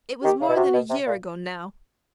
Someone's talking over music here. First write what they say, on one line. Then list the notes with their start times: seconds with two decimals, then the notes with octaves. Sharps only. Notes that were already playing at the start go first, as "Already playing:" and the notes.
It was more than a year ago now.
0.23 D#3 G4
0.41 C#3
0.49 B2
0.56 C3 F#4
0.73 B2
0.90 C3
1.07 A#2